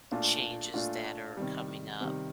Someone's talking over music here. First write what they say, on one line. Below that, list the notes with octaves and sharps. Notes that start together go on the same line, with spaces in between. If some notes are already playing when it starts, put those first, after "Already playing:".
changes that are coming up
A#2 A3 D4 F4
A#2 A3 D4 F4
C3 D#3 G3
C3 D#3 G3